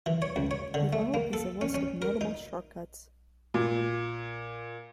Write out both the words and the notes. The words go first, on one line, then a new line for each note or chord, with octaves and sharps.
Below is a list of notable shortcuts.
E3
C#5
C#2
C#5
D3
A3
A#3
A4
C#4
C#4
A#4
D#4
A#2